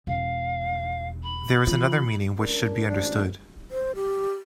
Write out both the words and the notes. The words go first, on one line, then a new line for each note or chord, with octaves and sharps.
There is another meaning which should be understood.
E1 F5
B5
E3 F4
C#2 D4 A#4
A1 F2 G#2 D4
C5
G4